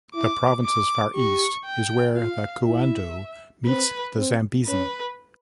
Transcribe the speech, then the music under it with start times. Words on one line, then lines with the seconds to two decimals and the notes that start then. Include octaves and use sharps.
The province's far east is where the Cuando meets the Zambezi.
0.15 E4 D6
0.65 D6
1.15 G4 C#6
1.65 G5
2.16 F4 F5
2.65 E4 E5
3.66 C4 B4
4.17 C4
4.67 C#4 B4